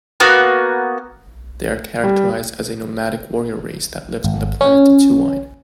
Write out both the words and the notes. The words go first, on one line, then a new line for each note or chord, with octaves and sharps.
They are characterized as a nomadic warrior race that lives on the planet Tatooine.
A#3 B3 F#4
G3
G#1
C#4